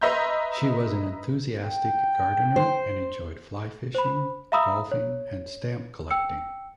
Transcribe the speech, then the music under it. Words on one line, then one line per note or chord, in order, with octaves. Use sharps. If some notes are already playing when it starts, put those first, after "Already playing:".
She was an enthusiastic gardener, and enjoyed fly-fishing, golfing, and stamp collecting.
B4 D#5 E5 A#5 C6 G6
G5
C5
C5 B5
E5 F5 A#5 B5 D#6 E6
C#5
G5 E6 C#7